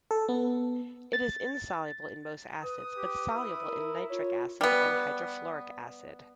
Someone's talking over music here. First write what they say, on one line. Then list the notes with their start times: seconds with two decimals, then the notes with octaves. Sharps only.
It is insoluble in most acids but soluble in nitric acid and hydrofluoric acid.
0.11 A4
0.29 B3
1.13 A6
2.63 B4 D#6
2.97 G4
3.35 E4
3.68 A#4
4.10 F4 C#5
4.61 G3 B3